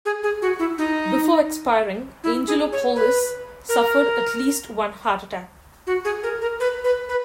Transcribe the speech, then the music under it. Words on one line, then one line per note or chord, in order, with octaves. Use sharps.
Before expiring, Angelopoulos suffered at least one heart attack.
G#4
G#4
F#4
E4
D#4
E4
G#4
C#5
B4
A#4
F#4
G#4
A#4
A#4
B4
B4
B4